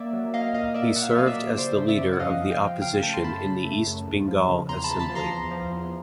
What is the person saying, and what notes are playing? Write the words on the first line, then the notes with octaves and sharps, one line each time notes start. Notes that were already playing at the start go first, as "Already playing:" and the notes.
He served as the leader of the opposition in the East Bengal Assembly.
Already playing: A#3 D5 E5
F#3
A#3 D#5 F5
A#2 D#5 F5
A#3 D5 E5
A#2 F#5
F5
E5
F#3 D#5 F5
D5 E5
A#2
C#3 C5 D5
C#3
D5 E5
F#2
F#5
F3 D#5 F5
F3
F5 G5
F3
C#3 F5 G5
A3 G5 A5
C6
F#2 A5 B5
C#3
A3
F#2
E2
F3
C#3
E2 A#5 C6
A5 B5
E2
A5 B5
F3
A#5 C6
E2
F3
E2